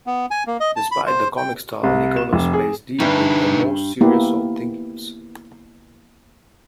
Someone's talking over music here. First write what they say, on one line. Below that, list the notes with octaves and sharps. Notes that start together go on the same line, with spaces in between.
Despite the comic style, Nichols' plays deal with the most serious of themes.
B3
G#5
A#3
D#5
A5
B5
C5
G5
C2
E7
F1
G#4
G2 D#4 B4 E5
A#3 B3 E4 G4